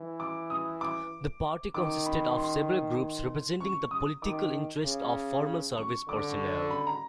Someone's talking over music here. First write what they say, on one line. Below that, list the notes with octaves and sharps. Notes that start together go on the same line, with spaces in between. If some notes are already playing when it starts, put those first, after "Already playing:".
The Party consisted of several groups representing the political interests of former service personnel.
Already playing: E3
D6
D#6
D6
D#3 D6
B5
C6
C#6
D#6
D#3 D6
C#3
C#6
D3 D6
C#6
C#6
B5
A#5